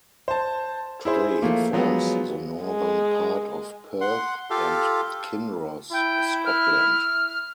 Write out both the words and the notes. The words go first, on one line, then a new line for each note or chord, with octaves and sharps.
Today it forms the northern part of Perth and Kinross, Scotland.
C5 A5
E4 G#4 C5
F3 A3 A#3
F3 F#3 G#3 B3
G#3
F#5 C6
F4 G4 A4 F5
E4 G5
F6